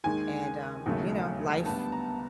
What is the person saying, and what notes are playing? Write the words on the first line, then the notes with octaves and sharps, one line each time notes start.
And, um, you know, life
D#2 D#3 G#3 G#5
E1 D#2 C#3 F#3 A3
D2 D3 G3 B3 A5
A#5